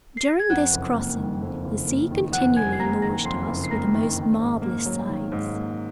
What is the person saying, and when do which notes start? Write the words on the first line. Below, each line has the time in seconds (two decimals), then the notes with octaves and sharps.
During this crossing, the sea continually lavished us with the most marvelous sights.
0.17 C7
0.28 A#6
0.39 G#6
0.49 F2 F#5 F#6
0.73 F#1
0.96 A#3
1.18 D#3
1.42 F2
1.65 F#1
1.87 A#3
2.11 D#3
2.33 F2 F#5 F#6
2.56 F#1 G#5 G#6
2.73 C7
2.80 A#3 A#5 A#6
3.02 D#3 A#5 A#6
3.24 F2 C6 C7
3.47 F#1
3.64 C7
3.70 A#3 A#5 A#6
3.94 D#3
4.16 D#3
4.40 G#2
4.62 A#3
4.86 F#3
5.09 D#3
5.32 G#2
5.54 A#3